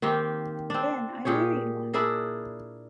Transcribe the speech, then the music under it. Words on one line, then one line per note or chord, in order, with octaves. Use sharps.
Then I married one!
D#3 A#3 C4 G4
C4 D4
A#2 G4 G#4 C#5
D4 E4 G#4 A#4